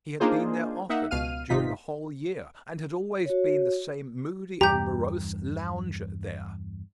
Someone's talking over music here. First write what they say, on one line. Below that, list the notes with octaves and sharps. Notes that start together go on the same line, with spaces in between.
He had been there often, during a whole year, and had always been the same moody and morose lounger there.
A#3 D4 D#4 F4 G#4 C5
A#3 D#4 E5 F#5
C#2 B2 F5 F6 D#7
G#1 C3 D#4 F4 B6
F#4 C#5
E2 G2 G4 A#5 G6